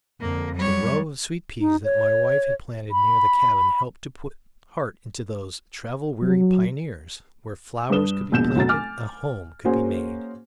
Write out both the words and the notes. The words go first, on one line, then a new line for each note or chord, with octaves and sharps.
The row of sweet peas that my wife had planted near the cabin helped to put heart into those travel-weary pioneers; where flowers could be planted, a home could be made.
F2 D3 A#3
F#3 G3 C#5
D#4
C#5
B5
F#3
G2 D4 B4 D#6 E7 G7
E1 A#1 B2 G6 E7
F1 B2 F#3 A#5 A6
G#5 D6 F6
A#3 C#4 F#4 G#4 C5 G#5